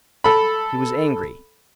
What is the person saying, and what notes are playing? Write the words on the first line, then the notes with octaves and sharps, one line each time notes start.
He was angry.
A4 B5